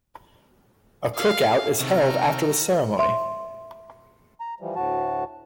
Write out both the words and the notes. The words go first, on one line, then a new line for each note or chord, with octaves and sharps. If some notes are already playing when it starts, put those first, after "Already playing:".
A cookout is held after the ceremony.
F5
C3 D#3 A3 A#4
E5 C6
A#5
E3 F3 G3
D2 A2 F#4 A5